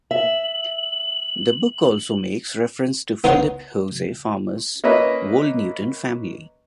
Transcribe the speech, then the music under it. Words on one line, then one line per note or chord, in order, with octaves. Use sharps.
The book also makes reference to Philip Jose Farmer’s Wold Newton family.
E5 F#7
B3 D#4 C5 C#5 F#5
A#3 C#4 B4 D#5 E5